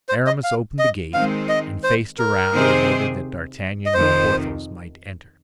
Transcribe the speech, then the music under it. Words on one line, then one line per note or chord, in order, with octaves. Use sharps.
Aramis opened the gate and faced around in order that D'Artagnan and Porthos might enter.
C5
D#5
F5
D#5
D#3 G#3 C4 F5
D#5
C5
A#4
C3 D#3 C4 G#4 C5
D#5
F2 C3 D#3 C5